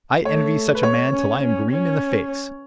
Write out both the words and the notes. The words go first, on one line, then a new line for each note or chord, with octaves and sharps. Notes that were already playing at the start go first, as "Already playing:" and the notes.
I envy such a man till I am green in the face.
A3 C#5
B4
C#5
C#4
C#4
C#4